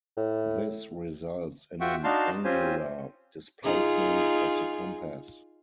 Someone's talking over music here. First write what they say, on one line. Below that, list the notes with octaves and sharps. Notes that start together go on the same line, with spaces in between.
This results in an angular displacement of the compass.
A2
F4 F#4 E5 F#5 G5 C#6
D4 D#4 F#4 F5 A5 C6
C4 C#4 F4 G4 C5 G#5
D#4 F4 G#4